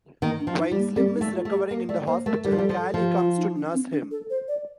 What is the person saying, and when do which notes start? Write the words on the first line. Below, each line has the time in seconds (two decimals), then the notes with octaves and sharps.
While Slim is recovering in the hospital, Cally comes to nurse him.
0.22 D#3 A#3
0.40 D4
0.47 F3
0.59 D#4
0.71 G3
0.78 A#3
0.96 G3 C4
1.15 D#4
1.21 A3
1.33 F4
1.45 A3
1.52 G4
1.70 A#3 A#4
1.89 A3 D5
2.07 A#3 C5
2.26 A3 A#4
2.44 G3 A#4
2.52 F3
2.58 G3
2.63 A4
2.69 F3
2.81 A4
2.94 F3
3.00 G4
3.19 F4
3.37 D#4
3.56 D4
3.74 C4
3.92 D4
4.11 A4
4.30 C5
4.48 D5